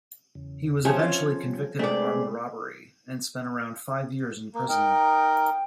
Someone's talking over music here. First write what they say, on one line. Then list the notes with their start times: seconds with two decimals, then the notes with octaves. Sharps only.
He was eventually convicted of armed robbery and spent around five years in prison.
0.35 E2 C#3
0.85 F3 C#4 G4 G#4 C5 C#5 E5 F5
0.96 C4 F4
1.46 G3
1.79 C3 G#3 A3 D4 G#4 B4 C5 D5
4.54 A#3
4.68 D#4 A#4 G5